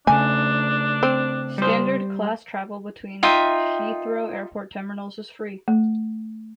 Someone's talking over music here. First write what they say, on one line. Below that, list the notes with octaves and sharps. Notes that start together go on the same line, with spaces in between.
Standard-class travel between Heathrow Airport terminals is free.
C#3 A3 D4 G#5
C4
G3 C5
D#4 F4 E5 G5
A3